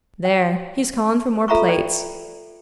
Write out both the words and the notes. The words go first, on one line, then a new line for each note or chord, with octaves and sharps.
There, he's calling for more plates.
G5
F4 A4 E5 A#5 B5 C#6
D5 G5